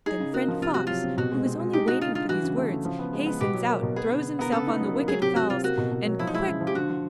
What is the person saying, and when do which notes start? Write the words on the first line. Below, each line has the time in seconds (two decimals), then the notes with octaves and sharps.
Then friend Fox, who was only waiting for these words, hastens out, throws himself on the wicked fowls, and quick!
0.06 D#4 G#4
0.20 C#3
0.33 A#3 F#4
0.48 F3
0.61 C3 F4
0.74 C3 F#4
0.87 F#3 F4
1.04 C3
1.18 B2 F#4
1.31 G#3
1.46 C4
1.60 G#3
1.73 D#4 G4
1.87 D#4 F#4
2.01 D3 F4
2.15 D3 F4
2.29 E3 F#4
2.43 C#3
2.56 A3
2.71 C#3
2.85 F3
2.99 B3
3.13 G#3
3.27 B3
3.41 B2 G4
3.54 F#3
3.69 A#3
3.83 B2
3.96 B3 G#4
4.11 D3
4.24 D3
4.39 B3 A#4
4.52 C#3 A4
4.67 D#4
4.80 F#3
4.93 A#3
5.07 F#3 G#4
5.22 C3 G4
5.35 C3 F#4
5.50 C3 F4
5.64 A#3 F#4
5.78 B2
5.92 B2
6.06 F#3
6.19 F3 E4
6.27 D#4
6.33 G#3 E4
6.47 C#3
6.61 F3
6.67 G4
6.75 D3 F#4
6.90 F3